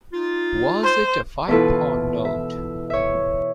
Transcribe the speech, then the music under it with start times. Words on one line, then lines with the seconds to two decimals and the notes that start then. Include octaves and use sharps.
Was it a five-pound note?
0.13 D#4 F4
0.84 C5
1.48 B2 E3 E4 F4 A4 B4
2.25 E5
2.90 C#5 E5